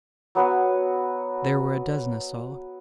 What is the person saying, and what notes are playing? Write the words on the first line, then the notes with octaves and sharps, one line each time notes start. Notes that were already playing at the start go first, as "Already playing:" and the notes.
There were a dozen assaults.
F#3 B3 F#4 B4